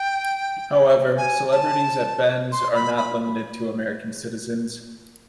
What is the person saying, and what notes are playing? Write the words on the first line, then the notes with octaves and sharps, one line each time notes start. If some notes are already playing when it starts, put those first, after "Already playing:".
However, celebrities at Ben's are not limited to American citizens.
Already playing: G5
G#5
A5
C6
B5
B5